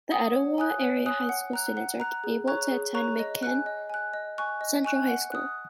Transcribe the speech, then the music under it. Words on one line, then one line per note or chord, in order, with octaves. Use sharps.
The Etowah area high school students are able to attend McMinn Central High School.
F#5 D#6
C#5
G#5 D#6 F#6
C#5
G#5 D#6 F#6
F#5
A#5 F#6
F#5
A#5 F#6
G#4
C#5 A#5 C#6 F#6
G#4
C#5 A#5 C#6 F#6
D#5
G#5 F#6
D#5
G#5 F#6
D#5
G#5 C#6 F#6
D#5
G#5 C#6 F#6
F#5
D#6 F#6